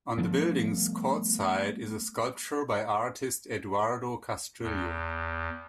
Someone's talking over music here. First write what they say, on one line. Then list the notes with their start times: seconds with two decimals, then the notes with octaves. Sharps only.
On the building's courtside is a sculpture by artist Eduardo Castrillo.
0.18 F3 G3 A3 B3
4.62 E2